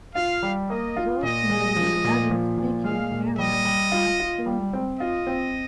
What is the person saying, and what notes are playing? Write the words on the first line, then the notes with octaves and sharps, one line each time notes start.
Those in the Ladin-speaking areas have three names.
F4 F5
G3
A#3 D#5
F4
A#2 D#5
G#3
F3
A#2
F3
A#2
G#3 F5
A#2
G3 D#5
G3
F4
F4
G3
C4
F4 D#5
C4